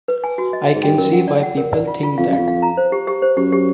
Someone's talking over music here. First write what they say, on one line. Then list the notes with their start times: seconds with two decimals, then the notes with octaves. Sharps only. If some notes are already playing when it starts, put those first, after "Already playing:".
I can see why people think that.
0.08 B4
0.24 G#5
0.38 F#4
0.53 D#5
0.67 D#5
0.75 G#2
0.83 G2 G5
0.97 F#2 A#4
1.13 F#5
1.28 D5
1.43 F#5
1.58 A#4
1.73 D5
1.87 F4
2.03 F4
2.18 F2 F5
2.28 F#2 F5
2.38 F2
2.48 F5
2.62 A#5
2.77 C5
2.92 G4
3.07 G4
3.22 C5
3.37 F#2 G4
3.52 G4